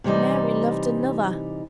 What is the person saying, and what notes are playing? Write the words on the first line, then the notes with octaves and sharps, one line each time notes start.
Mary loved another!
C3 E3 G3 D#4